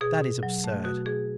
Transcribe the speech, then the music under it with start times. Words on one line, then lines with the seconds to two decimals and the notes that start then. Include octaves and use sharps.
"That is absurd."
0.01 B2 G#4
0.22 B2
0.43 F#3
0.64 A3
0.84 B2 F#4
1.06 B2 G#4